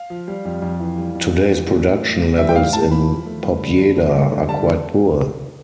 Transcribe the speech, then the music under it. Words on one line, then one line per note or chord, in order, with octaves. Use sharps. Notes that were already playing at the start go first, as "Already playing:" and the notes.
Today’s production levels in Pobjeda are quite poor.
Already playing: F5
F3
G3
F2
F2
E3
G3
F2
F2
E3
G3
A2
A2
E3
G3 E5
G5
A2 F5
A2 A5
E3 B5
F3
A3
G2
D3
F3
A3
G2
D3
G3 A5